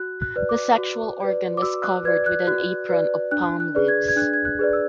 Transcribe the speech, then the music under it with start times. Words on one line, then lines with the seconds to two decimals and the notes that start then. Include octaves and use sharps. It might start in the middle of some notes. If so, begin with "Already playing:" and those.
The sexual organ was covered with an apron of palm leaves.
Already playing: F#4 F#6
0.22 F#6
0.36 B4 D5
0.49 D6
0.78 F#4
1.20 B4 D5
1.57 D6
1.62 F#4 E6
1.84 F#6
2.05 B4 D5 G#6
2.26 F#6
2.47 F#4 F#6
2.89 B4 D5
3.31 D4 F#6
3.60 F#6
3.75 G#4 B4 D5
3.88 G#6
4.08 G#6
4.16 D4 F#6
4.34 G#6
4.45 F#6
4.59 G#4 B4 D5
4.73 E6